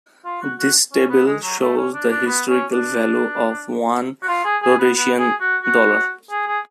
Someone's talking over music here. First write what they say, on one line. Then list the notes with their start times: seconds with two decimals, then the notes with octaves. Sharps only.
This table shows the historical value of one Rhodesian dollar.
0.25 F4
0.42 F#4
0.59 F#4
0.93 C#4
1.09 B3
1.26 G#3
1.43 F#3
1.60 A3
1.76 C#4
1.94 D4
2.10 D4
2.26 B3
2.49 C#4
2.71 D4
4.22 F#4
4.28 F4
4.45 G#4
4.62 G#4
4.78 B3
4.96 B3
5.18 G#4
5.41 F#4
5.63 F#4
6.31 G#4
6.47 G#4